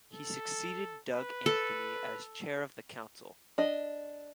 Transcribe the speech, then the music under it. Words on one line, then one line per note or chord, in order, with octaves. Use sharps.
He succeeded Doug Anthony as chair of the council.
A4
B4
A4
D4 D#5